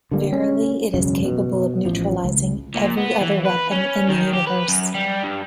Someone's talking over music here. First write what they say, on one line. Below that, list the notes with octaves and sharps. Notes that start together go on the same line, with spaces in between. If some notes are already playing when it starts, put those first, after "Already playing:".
Verily, it is capable of neutralizing every other weapon in the universe.
D3 G3 A#3
C#4
E1 F#2 C#3
B2
A1 F3
C#2
A#2
B3
E3
B4
C#4
D#3
G4
B4
F#2
G3
G2